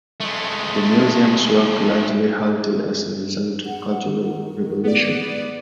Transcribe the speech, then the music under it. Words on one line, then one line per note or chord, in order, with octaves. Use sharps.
The museum's work largely halted as a result of the Cultural Revolution.
G#3 A3
F#5
D#3
B3 D5